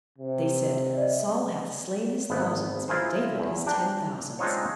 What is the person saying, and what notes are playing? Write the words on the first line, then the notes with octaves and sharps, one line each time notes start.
They said, 'Saul hath slain his thousands, but David his ten thousands.'
C3
D5 D#5
G#1 B3
E4 F4 G#4 A#4 C5
E2
D4 G5 A5 A#5
G#3 C4 D4 D#4 F4 C#5